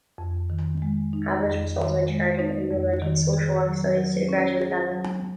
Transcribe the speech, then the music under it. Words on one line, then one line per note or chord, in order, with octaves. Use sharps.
Abbott was also in charge of implementing social work studies to the graduate level.
F2
D#3
G#3
D#4
F2
D#3
G#3
D#4
F2
D#3
G#4
F#3
F#3
C#4
G#4
F#3